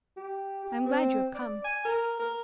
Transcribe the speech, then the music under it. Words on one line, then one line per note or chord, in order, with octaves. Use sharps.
"I am glad you have come."
G4
G4
C4
D5
G#5
A#4
A#4